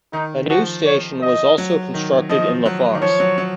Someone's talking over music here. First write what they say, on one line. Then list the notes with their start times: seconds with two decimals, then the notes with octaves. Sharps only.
A new station was also constructed in LaFox.
0.13 D#3 D#4
0.49 F3 F#4
0.85 C#5
1.22 D#5
1.58 F#3
1.94 D#3
2.29 F3 D#5
2.66 F#3
2.95 D#3
3.01 F3 C#5
3.20 F#3
3.38 F#3